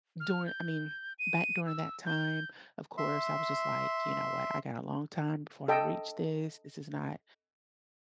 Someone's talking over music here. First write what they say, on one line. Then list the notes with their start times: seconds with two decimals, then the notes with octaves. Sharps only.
during I mean, back during that time, of course, I was just like, "You know what, I got a long time before I reach this, this is not
0.20 F6
0.46 G6
1.19 D#7
1.66 E6
2.06 G6
2.98 E5 C6
5.68 A4 D#5 G5